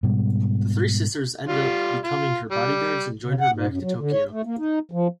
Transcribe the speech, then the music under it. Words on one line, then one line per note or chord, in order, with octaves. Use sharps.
The three sisters end up becoming her bodyguards and join her back to Tokyo.
G#2 B2 G3
G3 F4
F4
G3
C#3
F#5
G#2
F#2
F#3
D3
C#5
A3
A#3
D#4
F3